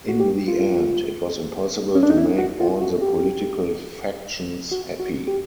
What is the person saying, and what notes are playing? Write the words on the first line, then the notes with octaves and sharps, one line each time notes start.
In the end, it was impossible to make all the political factions happy.
F#4
G4
F4
C#4
D4
D#4
E4
F#4
F4
F#4
G4
F#4
F#4
G4